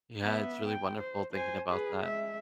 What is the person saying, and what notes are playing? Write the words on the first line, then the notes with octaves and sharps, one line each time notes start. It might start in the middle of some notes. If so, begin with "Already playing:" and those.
Yeah, it's really wonderful thinking about that,
B3 E5
G5
C5
C5 G#5
G#4 B4
G#3 E5